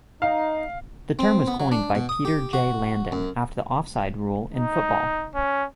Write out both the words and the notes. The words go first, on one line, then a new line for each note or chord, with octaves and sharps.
The term was coined by Peter J. Landin, after the offside rule in football.
D#4 F5
C4
B3
F#3
D4
B2
D#6
G4
F#4
F#2
D#4
C#4